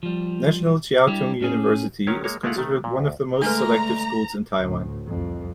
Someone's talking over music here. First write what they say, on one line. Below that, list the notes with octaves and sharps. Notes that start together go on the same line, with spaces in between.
National Chiao Tung University is considered one of the most selective schools in Taiwan.
F3 G3
G3 D4 E4 G4
A2 C#4 G#4
D#3 F#3 C#4 A#4 C#5
G#3 A#3 C#5
G#3 A3 E4 F4 F5 F#5
D#3 A3
A#2
D2
D3 G#3 A3 D4 B4 A#5
D2 A2
C2 F2